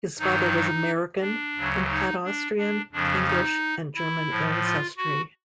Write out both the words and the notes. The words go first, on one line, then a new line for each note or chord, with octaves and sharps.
His father was American and had Austrian, English, and German ancestry.
G2 D#3 F#3 D#4
D4
D2 C#3 F#3
D#4
D4
D4
F2 C#3 F3 D4
D#4
E4
A2 F3
F4
F#4